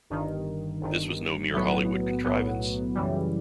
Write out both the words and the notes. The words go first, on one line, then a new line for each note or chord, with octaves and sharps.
This was no mere Hollywood contrivance.
G1 G2 D#3
G1 G2 D#3
B1 A2 F#3 B3
B1 A2 F#3 B3
F#2 C#3 E3 G3